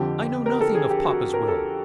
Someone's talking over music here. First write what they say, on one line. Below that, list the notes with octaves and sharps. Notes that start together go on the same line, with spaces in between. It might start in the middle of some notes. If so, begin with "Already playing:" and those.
'I know nothing of papa's will.
Already playing: F2 D3 F3 G4
A#4
A4
G#4
G4
F#4
A#4
A4